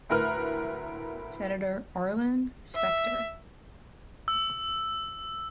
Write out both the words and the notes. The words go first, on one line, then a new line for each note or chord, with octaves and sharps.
Senator Arlen Specter.
D2 A2 A#4 B4 F6
E5
E6